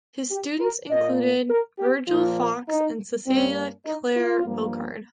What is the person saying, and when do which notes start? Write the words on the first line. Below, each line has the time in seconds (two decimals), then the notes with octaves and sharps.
His students included Virgil Fox and Cecilia Clare Bocard.
0.31 G4
0.61 A#4
0.90 A#2 A#3 D#5
1.50 A#4
1.79 G4
2.08 A#2 F3 A#3 F4
2.68 D#4
3.27 G2 G3 A#3 C4
3.86 D#4
4.16 F4
4.45 G2 F3 A#3